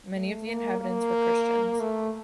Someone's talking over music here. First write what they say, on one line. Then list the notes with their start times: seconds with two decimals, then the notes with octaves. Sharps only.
Many of the inhabitants were Christians.
0.13 A3
0.46 A#3
0.80 A#3
1.80 A3